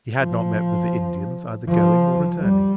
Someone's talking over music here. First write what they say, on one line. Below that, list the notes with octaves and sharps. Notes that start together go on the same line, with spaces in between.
He had not met with the Indians, either going or returning.
F3
F3
G3